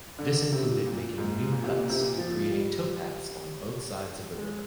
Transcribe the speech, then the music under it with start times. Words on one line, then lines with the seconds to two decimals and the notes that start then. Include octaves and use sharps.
This included making new cuts, and creating towpaths on both sides of the river.
0.19 D3
0.52 C3
0.86 A#2
1.18 G#2
1.51 A#2
1.64 C3
1.77 A#2
1.89 C3
2.02 A#2
2.18 F3
2.51 G3
4.38 G#3